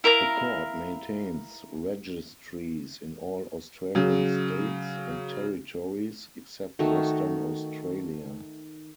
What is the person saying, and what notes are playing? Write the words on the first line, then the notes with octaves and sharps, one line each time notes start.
The Court maintains registries in all Australian states and territories except Western Australia.
E4 A#4 F5 A#5
C#3 F#3
D#3 A3 F#4